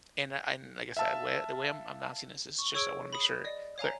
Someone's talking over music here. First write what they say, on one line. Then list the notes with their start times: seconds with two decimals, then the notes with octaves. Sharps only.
And, uh, I n I guess I wa the way I'm announcing this is just I wanna make sure clear,
0.97 E5 F5 A5 E6
2.58 C#6
2.74 G#4 C#5 C#6 E6 G#6 D7
3.13 B5 D#6
3.44 D5 D#5
3.78 C#5 F5 G#5 A#5